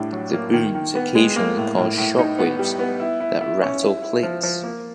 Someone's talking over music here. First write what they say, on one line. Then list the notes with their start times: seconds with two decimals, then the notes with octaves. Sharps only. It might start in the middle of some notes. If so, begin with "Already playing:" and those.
The booms occasionally cause shock waves that rattle plates.
Already playing: A2 G3 D4
0.13 F#3
0.33 A#3
0.54 D#3
0.74 D#3
0.95 B3
1.15 G#3
1.36 A#3
1.57 A2
1.77 A2
1.97 A2
2.19 D#4
2.38 B3
2.59 G3
2.79 B3
3.00 E4
3.20 E4
3.41 E4
3.62 C#4
3.82 E4
4.02 E4
4.23 F3
4.43 F3
4.64 A#3